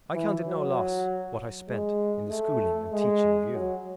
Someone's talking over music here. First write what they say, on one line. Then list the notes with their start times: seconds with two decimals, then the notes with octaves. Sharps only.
I count it no loss what I spent in the schooling and teaching of you.
0.14 E3
0.45 F#3
1.69 G#3
2.30 A3
2.93 G#3
3.53 F#3